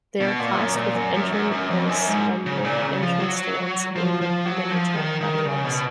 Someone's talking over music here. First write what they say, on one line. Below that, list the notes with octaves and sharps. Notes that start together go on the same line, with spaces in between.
They are classed with engine hoists and engine stands in many tool catalogs.
B2
A#2
F#2
A#2
F#2
F#2
F#2
F#2
F2
F#2
G#2
C#3
G#2
A#2
C#3
F3
F#3
F3
F3
F#3
F3
D#3
D#3
C#3
B2